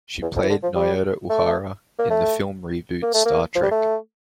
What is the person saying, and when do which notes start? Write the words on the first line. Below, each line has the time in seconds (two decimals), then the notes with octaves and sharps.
She played Nyota Uhura in the film reboot Star Trek.
0.22 E2
0.36 F2
0.43 E3
0.50 D3
0.63 F3
0.76 G3
1.30 A3
1.99 A#3
2.10 A3
3.02 A#3
3.14 A3
3.26 A#3
3.55 F3
3.63 G3
3.71 A3